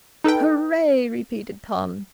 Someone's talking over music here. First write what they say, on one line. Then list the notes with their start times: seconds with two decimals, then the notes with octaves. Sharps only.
"Hooray!" repeated Tom.
0.24 D#4 A4 B4 G5